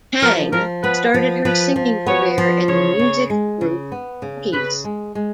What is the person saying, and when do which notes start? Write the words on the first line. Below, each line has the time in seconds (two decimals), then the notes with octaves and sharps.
Tang started her singing career in the music group Cookies.
0.22 F3 A#4
0.53 F3 A#4
0.83 B3 B4
1.14 F3
1.45 F3 B4
1.76 F3
2.07 B3 C#5
2.38 F3
2.68 C#3 C#5
2.99 C#3
3.30 G#3
3.61 C#3
3.92 B3
4.22 C#3
4.53 C#3 B4
4.84 G#3
5.15 G#3